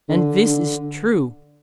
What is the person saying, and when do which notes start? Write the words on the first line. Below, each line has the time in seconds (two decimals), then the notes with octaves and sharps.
And this is true.
0.09 D3
0.44 D3